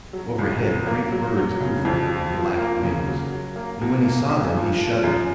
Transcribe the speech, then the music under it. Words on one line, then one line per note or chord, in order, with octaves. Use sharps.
Overhead great birds hovered on black wings, and when he saw them he shuddered.
F#3
C#2
F#3
A#3
F#3
F#3
C#3
F2
F3
F3
A#3
C#3
F#3
F#3
A#3
B2
A#3
B1
F3
F3
F#2